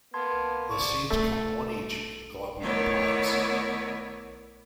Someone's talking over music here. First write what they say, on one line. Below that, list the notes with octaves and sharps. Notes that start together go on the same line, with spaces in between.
The seeds come one each in globular pods.
A#3 B3 A5 C6 G#6
D5 C#6
A3
D#3 A3 B3 E4 C#5 D5